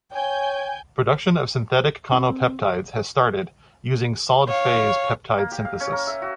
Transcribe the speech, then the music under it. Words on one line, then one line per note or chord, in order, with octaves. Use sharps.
Production of synthetic conopeptides has started, using solid-phase peptide synthesis.
C#5 G5 G#5 G6
C4
C#5 F5
A#3
G4
F5
C#4
A#4
E5
F#4